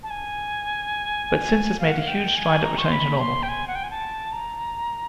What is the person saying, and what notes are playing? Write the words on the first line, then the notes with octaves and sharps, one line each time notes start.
But since has made a huge stride at returning to normal.
A5
G#5
F5
F#5
F5
G5
G#5
A#5
C#6
C6
B5
C6
G5
G#5
F#5
G5
G#5
A5
A#5